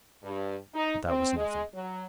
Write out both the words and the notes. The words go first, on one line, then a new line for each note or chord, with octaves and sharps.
But that was nothing.
G2
D#4
C4
G#3
F#3